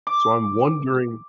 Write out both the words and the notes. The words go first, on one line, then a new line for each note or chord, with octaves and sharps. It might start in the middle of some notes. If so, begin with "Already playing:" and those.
So, I'm wondering
D6